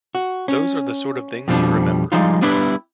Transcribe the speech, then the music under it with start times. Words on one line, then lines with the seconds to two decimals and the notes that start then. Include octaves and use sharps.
Those are the sort of things you remember.
0.15 F#4
0.48 C#4
1.48 F2 B2 F3 G3 D4
2.12 F3 G3 G#3 D#4 F4
2.41 G3 B3 D4 E4 B4